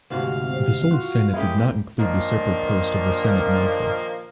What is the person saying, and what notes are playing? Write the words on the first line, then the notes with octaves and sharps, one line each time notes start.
This old senate did not include the separate post of the Senate Marshal.
D2 G#2 C3 F#4 F5
C3
F4 F#4
G#3 A#3 C#4 E4 G4 G#4
A#2 D#3 F3 A#3 D4